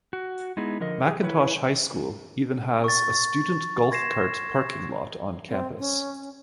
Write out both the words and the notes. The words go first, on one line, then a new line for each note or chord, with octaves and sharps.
McIntosh High School even has a student golf cart parking lot on campus.
F#4
G#3 B3 D#4 E4 G#4
D3 F3 A#4 D#5
G4 G#4
E4 B4 C#5
C#6 A6
A6
C6 G#6 A#6 C7 E7
C4
C#4